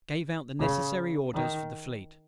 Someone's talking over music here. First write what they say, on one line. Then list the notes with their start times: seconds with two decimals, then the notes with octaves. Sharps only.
Gave out the necessary orders for the Fleet.
0.59 C#3
1.33 D#3